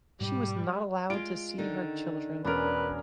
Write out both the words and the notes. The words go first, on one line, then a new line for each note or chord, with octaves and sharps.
She was not allowed to see her children.
G#2 B2 G3 G#3
G#3 F4 D7
D3 D#3 D#4
E1 C#4 D4 A#4 B4